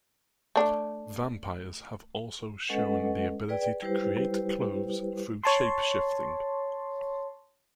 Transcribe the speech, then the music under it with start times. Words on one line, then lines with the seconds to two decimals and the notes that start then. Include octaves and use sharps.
Vampires have also shown the ability to create clothes through shapeshifting.
0.56 A3 D4
2.69 G#3 C#4 A4 B4 D#5 F#5
3.49 G#4 B4 D5 G5
3.82 G3 E4 G4 B4 C5
5.44 C#5 A5 C6